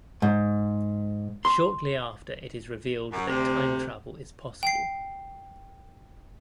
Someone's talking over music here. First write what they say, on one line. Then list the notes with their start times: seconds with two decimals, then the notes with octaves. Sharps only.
Shortly after it is revealed that time travel is possible.
0.22 G#2
1.45 C6
3.12 F#2
3.28 D2 C3
4.63 G5 C7